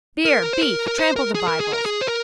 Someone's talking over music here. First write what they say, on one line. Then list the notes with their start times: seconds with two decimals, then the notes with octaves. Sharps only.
Beer, beef, trample the bibles.
0.25 A#4
0.53 C5
0.62 A#4
0.88 A#4
0.98 C5
1.16 A#4
1.35 G#4
1.48 A#4
1.60 G#4
1.73 A#4
1.86 G#4
2.01 C5
2.08 A#4